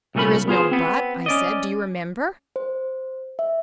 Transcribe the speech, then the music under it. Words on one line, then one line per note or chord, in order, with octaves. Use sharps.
"There is no 'but.' I said, do you remember?"
C2 A#2 A3 C#4 A#4 B5
B3 F4 G#4 C5
B3 C4
C#4 D5 D#5
C5
E5